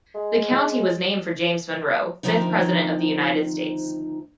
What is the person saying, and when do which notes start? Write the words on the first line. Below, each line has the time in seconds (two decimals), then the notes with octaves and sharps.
The county was named for James Monroe, fifth President of the United States.
0.15 G#3
2.23 D2 D#3 F3 C4 D#4